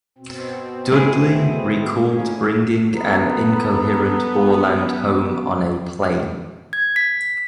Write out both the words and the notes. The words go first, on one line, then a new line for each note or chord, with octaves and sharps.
Dudley recalled bringing an incoherent Borland home on a plane.
B2 C4
A3 E4 G#4
G#2 A#3 C#4
B3 A4 A#5 B5
G#6
B6